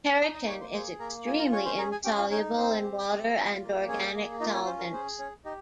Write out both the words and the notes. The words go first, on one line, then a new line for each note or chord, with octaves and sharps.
Keratin is extremely insoluble in water and organic solvents.
D#4 D#5 D#6
D#5 D#6
A#3 C#5 C#6
C5 C6
G#4 C5 C6
A#3 A#4 A#5
F4 G#4 G#5
A#4 A#5
C#4 C#5 C#6
C5 C6
G#4 A#4 A#5
G#4 G#5
C#4 G4 G5
F4 F5
C#4 D#4 C#5
C4 C5
G4
C4
F4
A#3
C#4 G#4 C#5
A#3
D#4 F4 D#5
C#4 C#5
C#4 C5
A#4
G#4 C5
C#4 C#5
D#4 G4 D#5